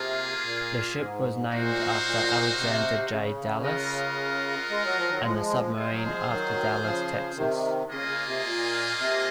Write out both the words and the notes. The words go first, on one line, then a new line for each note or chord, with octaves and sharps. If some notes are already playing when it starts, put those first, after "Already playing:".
The ship was named after Alexander J. Dallas and the submarine after Dallas, Texas.
Already playing: C3 A#3 F4 G#4
A#2
G#2
A#2 D#4 F#4 C5 F5
A#2
C3
C#3
F4 A#4 D#5 F#5
G#3
F#3
F3
D#3 F#3
F3 G#3
G#3 F4 G#4 C5
F#3
F3 G#3
D#3 F#3
C#3 F3
C3 D#3
C#3 A#3 F4 G#4 D#5
C#3
C3
A#2
C3